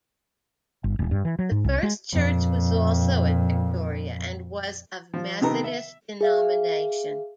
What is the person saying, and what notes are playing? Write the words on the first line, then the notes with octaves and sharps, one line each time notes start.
The first church was also at Victoria, and was of Methodist denomination.
G1
D#1
G2
E3
F#3
G#2
C2
G#3
F2 A#2
F3
C3 D#3 B3 A4 A#5
E5
G#4 E5 F5